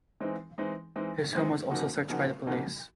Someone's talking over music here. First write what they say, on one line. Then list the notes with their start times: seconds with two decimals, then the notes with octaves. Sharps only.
His home was also searched by the police.
0.20 E3 G#3 C4 D#4
0.58 E3 G#3 C4 D#4
0.96 E3 G#3 C4 D#4
1.33 E3 G#3 C4 D#4
1.71 C#3 F3 A#3 D#4 F#4
2.08 C#3 F3 A#3 D#4 F#4
2.47 C#3 F3 A#3 D#4 F#4